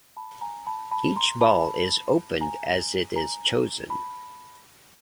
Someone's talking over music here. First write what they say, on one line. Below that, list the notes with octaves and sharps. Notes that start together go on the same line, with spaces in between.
Each ball is opened as it is chosen.
A5 B5
G#5 A#5
A5 B5
A5 B5
A#5 C6
A5 B5
G#5 A#5
G#5 A#5
A5 B5